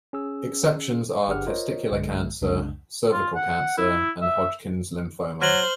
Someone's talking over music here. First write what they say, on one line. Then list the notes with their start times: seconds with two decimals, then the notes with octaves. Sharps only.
Exceptions are testicular cancer, cervical cancer, and Hodgkin's lymphoma.
0.13 C#4 G#4 E6
1.28 G1 D4 G4 G#4 F#5 F6
1.46 F4 A#4 C5 C#5 D#5
1.91 B1 G2 D3 G#3
2.41 C2 F2 C#3 G#3 D4
3.11 F4
3.35 F#5
3.77 E4
4.22 E5
5.42 F#3 C5 F6 F#7 G7